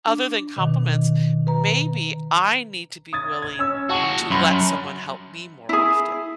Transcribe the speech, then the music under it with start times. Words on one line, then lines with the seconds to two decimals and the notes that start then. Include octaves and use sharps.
other than compliments, maybe I need to be willing to let someone help me more often.
0.07 D4
0.56 B2 D#3
1.47 B4 A#5
3.13 D#6 G#6 A6
3.42 G#6
3.59 C#4 E6
3.90 F#4 G#4 F#5 A5 C#6
4.30 F#2 A5 B5 C6
5.69 E4 G#4